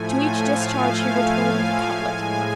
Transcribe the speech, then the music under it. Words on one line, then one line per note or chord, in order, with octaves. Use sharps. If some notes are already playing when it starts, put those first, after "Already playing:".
To each discharge he retorted with a couplet.
Already playing: A2 F3 A3 G#5
F5
F5
A2 G#3 G#5